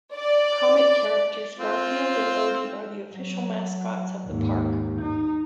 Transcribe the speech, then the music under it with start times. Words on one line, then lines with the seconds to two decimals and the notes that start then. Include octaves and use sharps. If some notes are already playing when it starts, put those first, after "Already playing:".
Comic characters Garfield and Odie are the official mascots of the park.
0.14 D5
1.58 C4 F4
3.14 F#3
4.26 D#2 G#2
5.01 D#4